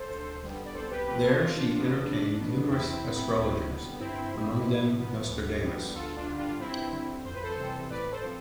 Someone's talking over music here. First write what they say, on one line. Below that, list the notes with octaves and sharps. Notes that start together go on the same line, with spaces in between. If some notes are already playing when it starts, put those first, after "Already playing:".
There she entertained numerous astrologers, among them Nostradamus.
Already playing: A4 C5
D2
D3 G3 B3
D5
C2 A4 C5
G4 B4
C3 F3 A3 C4 G4 B4
F4 A4
G2 D4 F4
D4 F4
E3 B3 D4 F4
D4
C2 D4
B2 B3
D4
E2 C4 E4
B2 B3
D2
D3 G3 B3
G2 C4 E4
F3 A3 C4
A2
F3 B3
D2
D3 G3 B3
D2 F4 A4
D4 F4
D3 G3
D4 F4
G2 C4 E4
D3 G3 C4
F2 C5
B4
A4 C5
C3 E3 G3 C4
A2 B4 D5
A4 C5
F3 C4